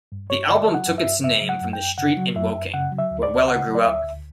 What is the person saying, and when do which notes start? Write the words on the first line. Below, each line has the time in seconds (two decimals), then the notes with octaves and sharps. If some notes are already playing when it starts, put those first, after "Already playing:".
The album took its name from the street in Woking where Weller grew up.
0.12 G2
0.30 G2 C#5
0.49 D3 D5
0.68 F#3
0.74 F#5
0.87 G2
0.98 E5
1.05 G2
1.24 C#3 E5
1.42 F#3
1.49 F#5
1.61 F#2
1.73 G5
1.80 F#2
1.98 C#3 F#5
2.17 F#3
2.35 F#2 E5
2.54 F#2
2.74 C#3 F#5
2.92 F#3
2.99 E5
3.11 D2
3.23 D5
3.29 D2
3.48 C#3 F#5
3.67 F#3
3.75 D5
3.85 D2 E5
4.04 D2